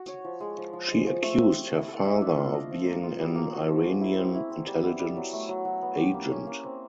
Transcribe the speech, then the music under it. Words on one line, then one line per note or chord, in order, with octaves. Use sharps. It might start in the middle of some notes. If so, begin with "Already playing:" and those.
She accused her father of being an Iranian intelligence agent.
Already playing: F#4
C#5
F3
G#3
F3
F3
G#3
F3
A3
C4
G4
E4
A4
E5
D4
F4
D#5
F3
A#3
F4
G3
A#3
F#4
F3
G#3
E4
C4
E4
C4
G3
B3
G3
F#3
A3
F#3
F#3
B3
G4
A#3
C#4
A#3
C4